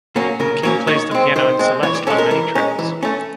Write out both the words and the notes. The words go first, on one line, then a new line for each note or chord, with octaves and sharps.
King plays the piano and celeste on many tracks.
F#3 A#3 C#4
C#3 A#4
F#3 A#3 C#4 C#5
D#3 C#5
G#3 C4
D#3 C5
G#3 C4
E3 C#5
D5
G#3 C#4 A4
A#4
E3
G#3 C#4
E3
A3 C#4